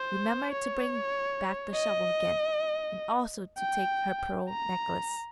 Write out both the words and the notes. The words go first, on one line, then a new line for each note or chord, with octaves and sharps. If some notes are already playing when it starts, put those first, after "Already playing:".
Remember to bring back the shovel again, and also to take her pearl necklace.
Already playing: C5
C#5
D#5
G5
A#5